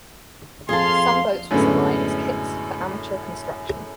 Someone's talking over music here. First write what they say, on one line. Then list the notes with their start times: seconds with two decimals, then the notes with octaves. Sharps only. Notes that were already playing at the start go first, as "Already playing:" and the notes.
Some boats were supplied as kits for amateur construction.
0.69 F2 G#4 F5 A5 C6
1.51 F#2 A2 D3 G#3 B3 C#4